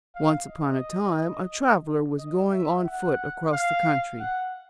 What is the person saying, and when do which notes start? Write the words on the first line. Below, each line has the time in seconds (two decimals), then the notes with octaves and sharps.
Once upon a time, a traveler was going on foot across the country.
0.15 F5
0.49 D#5
2.18 D#5
2.51 E5
2.85 F#5
3.52 F5
4.20 F#5